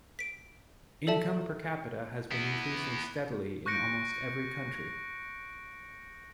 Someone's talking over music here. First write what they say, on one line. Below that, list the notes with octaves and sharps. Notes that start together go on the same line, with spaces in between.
Income per capita has been increasing steadily in almost every country.
B6 D7
A4 D5 E5 A5
B3 E4
C#6 F#6 G6 A#6 C#7 D7